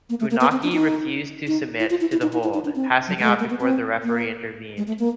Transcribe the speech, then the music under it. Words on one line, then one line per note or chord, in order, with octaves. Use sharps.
Funaki refused to submit to the hold, passing out before the referee intervened.
A#3
A3
A#3
B3
C4
D4
D#4
D#4
E4
F4
E4
E4
D#4
E4
E4
D#4
D4
C4
F#3
G3
A3
G#3
A#3
B3
C4
A#3
G#3
A3
A#3